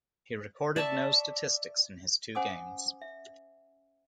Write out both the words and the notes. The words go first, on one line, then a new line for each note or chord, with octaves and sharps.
He recorded no statistics in his two games.
D5 E5 A5 C#6
C#4 C5 F#5 G#5 D6 D#6
E5